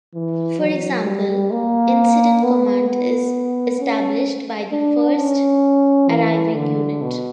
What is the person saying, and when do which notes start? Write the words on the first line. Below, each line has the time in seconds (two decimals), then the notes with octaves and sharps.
For example, Incident Command is established by the first arriving unit.
0.15 E3
0.59 F#3
1.05 G3
1.51 A#3
2.43 B3
2.88 B3
3.80 C#4
4.72 D4
5.18 C#4
6.09 E3
6.55 D3
7.02 B2